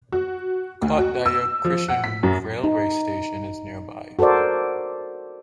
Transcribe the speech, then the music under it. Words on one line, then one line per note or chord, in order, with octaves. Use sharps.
Kot Daya Kishen railway station is nearby.
F#4
D2
F#4
E6
F3
F#5
B6
F#2
D#4
F#4 A4 A#4 C5 D5